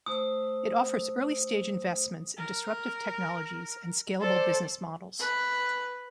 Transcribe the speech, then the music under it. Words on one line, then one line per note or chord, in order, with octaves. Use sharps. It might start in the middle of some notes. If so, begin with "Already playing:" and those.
It offers early-stage investments in disruptive technologies and scalable business models.
A3 C5 D#6 E6
A#4
A4 C5 D5
B4